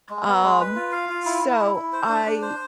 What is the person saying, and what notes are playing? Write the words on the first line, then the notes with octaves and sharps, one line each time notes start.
um, so I
G#3
B3
G#3
B4
F4
F5
F4
E4
E4
E4
E4
C5
D4
D4
C5